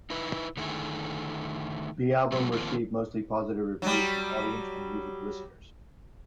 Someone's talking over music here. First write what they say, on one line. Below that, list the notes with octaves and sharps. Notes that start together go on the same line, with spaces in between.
The album received mostly positive reviews from audiences and music listeners.
D#4 E4 B4
D3 D#3 A3 E4 G#4
A#2 F#3 G#3 A3 B3 C4
D#3 F3 A#3 C4 F4
F#3 G3